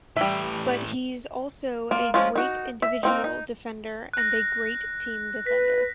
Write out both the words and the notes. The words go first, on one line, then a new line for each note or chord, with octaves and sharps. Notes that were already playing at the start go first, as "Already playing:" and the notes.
But he's also a great individual defender and a great team defender.
A2 E3 G3 E5
A#3 F4
F3 G#3 C#4 F4
D#4 F#4
E5
A#3 C4 D#4
D#4
F#6 A#6
B4 B6